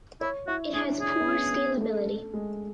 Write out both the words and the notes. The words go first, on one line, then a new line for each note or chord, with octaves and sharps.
It has poor scalability.
E4 C#5
E4 F#4
D4 G#4
D4 G#4
B3
C#4
B3
A3
A3
G#3